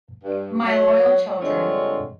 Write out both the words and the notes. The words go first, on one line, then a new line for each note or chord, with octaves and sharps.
My loyal children.
G2
F#3
G2 D3 G#3 C4 F4 C#5